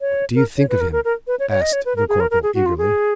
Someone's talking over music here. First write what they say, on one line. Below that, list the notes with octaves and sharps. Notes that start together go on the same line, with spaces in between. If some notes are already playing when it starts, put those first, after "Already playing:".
"What do you think of him?" asked the Corporal, eagerly.
C#5
A#4
C#5
B4
A#4
A#4
A#4
B4
C#5
C#5
D#5
C#5
B4
A#4
G#4
A#4
A#4
G#4
F#4
F4
G#4